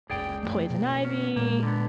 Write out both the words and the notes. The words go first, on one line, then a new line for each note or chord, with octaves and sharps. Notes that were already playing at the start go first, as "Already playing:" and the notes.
poison ivy,
F#1 C#2 C#3 G#4 D5 G5
F#2 F3 A3
B2 A#3
C#4
A#2 G#3 A#3
D3 B3